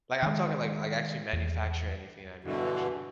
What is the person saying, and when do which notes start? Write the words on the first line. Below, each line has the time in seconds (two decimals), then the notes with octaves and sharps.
like, I'm talking, like like, actually manufacture anything I mean actually,
0.23 D#3 G#3
1.33 E2
2.44 G2 B2 D3 E3